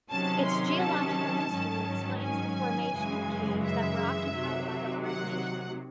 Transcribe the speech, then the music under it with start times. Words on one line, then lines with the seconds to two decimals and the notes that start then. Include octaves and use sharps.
Its geological history explains the formation of caves that were occupied by the Aurignacian.
0.10 C3 D#3 F#3 C#4 A5
0.45 C6
0.81 A5
1.51 G#2 D#3 F#3 C#4
2.23 G#5
2.93 F#2 C#3 E3 G#3
3.64 E5
4.36 C3 D#3 F#3
5.05 F#5